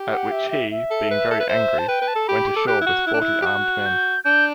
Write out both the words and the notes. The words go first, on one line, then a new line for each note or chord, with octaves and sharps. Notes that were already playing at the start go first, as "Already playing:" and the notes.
At which he, being very angry, went ashore with forty armed men.
Already playing: G4
F#5
E5
E5
E5
A4
B4
A4
B4
C5 E5
A5
B4 G5
B4
A5
A4
G4 B5
D6
A4
G4 F#6
E4
F#4
E4
D4
E4
G4
F#4
G6
D4 G6